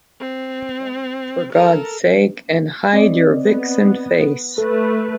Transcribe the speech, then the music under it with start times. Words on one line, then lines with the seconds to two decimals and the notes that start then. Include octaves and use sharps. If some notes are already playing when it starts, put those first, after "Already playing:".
Begone, for God’s sake, and hide your vixen face!
0.20 C4
1.53 A4 A#4
2.93 C4 D5 D#5
3.42 B3
4.58 A3 A4 B4